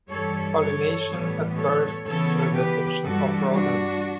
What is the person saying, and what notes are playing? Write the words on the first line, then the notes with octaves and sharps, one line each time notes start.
Pollination occurs through the action of rodents.
G2 E3 G3 A4 C#5
A4 C#5
A2 E3 G3 B3
A4 C#5
C#3 E3 B3 A4 C#5
G4 B4
G2 E3 G3 F#4 A4
D4 F#4